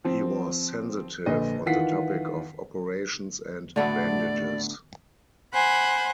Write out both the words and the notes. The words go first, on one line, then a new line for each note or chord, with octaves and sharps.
He was sensitive on the topic of operations and bandages.
F3 C4
A#1 D3 B4 D#5
D#3 E3 F4 F#5 B6 C7
A2 D3 A3 B3 F#4 D5
C5 F#5 G#5 B5